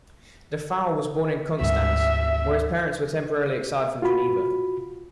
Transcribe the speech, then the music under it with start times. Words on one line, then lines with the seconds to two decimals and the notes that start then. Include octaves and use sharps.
Dufour was born in Konstanz, where his parents were temporarily exiled from Geneva.
1.61 D2 G#2 E5
4.02 F4 F#4 B5